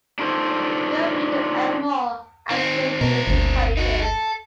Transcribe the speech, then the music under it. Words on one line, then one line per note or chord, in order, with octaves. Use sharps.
Feel free to add more, and create missing pages.
D4 D#4 F4 A4 C5
D#3 C4
B2 C4 A#4
G1 D2
D#4 F#4
A4